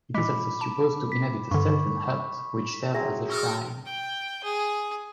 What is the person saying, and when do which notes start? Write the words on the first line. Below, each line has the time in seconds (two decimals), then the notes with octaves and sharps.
It is also supposed to inhabit a certain hut which serves as a shrine.
0.14 A#2 G#3 B5 D6 B6
0.61 A5
1.12 B6
1.51 G2 D3 C#6
2.94 F#3 C4 G#4 E5
3.30 A4 A#4 C#6
3.86 G5
4.44 G#4